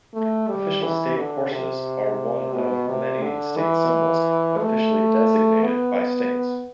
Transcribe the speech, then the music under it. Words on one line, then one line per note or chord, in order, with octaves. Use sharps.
Official state horses are one of many state symbols officially designated by states.
A3
G3
E3
D3
C3
B2
C3
D3
E3
A3
B3